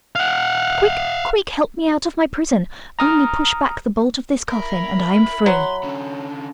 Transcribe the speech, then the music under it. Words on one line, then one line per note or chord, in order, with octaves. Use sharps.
Quick, quick, help me out of my prison; only push back the bolt of this coffin and I am free.'
F5 F#5
A#5 D#6 F6
E4 A#4 B5
F#3 C6
D3 C#4